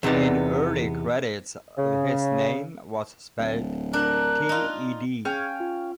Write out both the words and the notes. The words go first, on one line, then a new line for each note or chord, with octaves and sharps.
In early credits, his name was spelled "T-E-D".
E2 C3 B3 D#4 D5
C#3
D1
D4 A#4 F#6
D#4 F4
C#4 G#4 F5 G5 G#6
F4